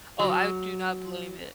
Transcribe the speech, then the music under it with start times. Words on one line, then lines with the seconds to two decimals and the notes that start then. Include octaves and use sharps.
Oh, I do not blame it.
0.19 F#3